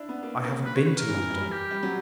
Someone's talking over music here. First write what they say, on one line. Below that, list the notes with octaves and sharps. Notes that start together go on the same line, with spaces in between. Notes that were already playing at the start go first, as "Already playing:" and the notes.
'I haven't been to London.
Already playing: D4 E4
B3
A#3
A#3
B4
C#5
B4
A#4
E3
E3
G3
G3
G4
G3
F#3